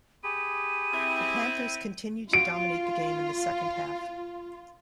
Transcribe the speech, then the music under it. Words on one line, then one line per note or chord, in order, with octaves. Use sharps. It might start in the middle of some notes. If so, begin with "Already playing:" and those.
The Panthers continued to dominate the game in the second half.
G4 G#4 B5 D#7
C4 E4
F4 F#4 D7